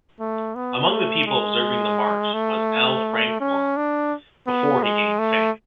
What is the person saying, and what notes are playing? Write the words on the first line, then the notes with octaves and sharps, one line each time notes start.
Among the people observing the march was L. Frank Baum, before he gained fame.
A3
B3
A3
G#3
A3
C#4
D4
B3
G#3
A3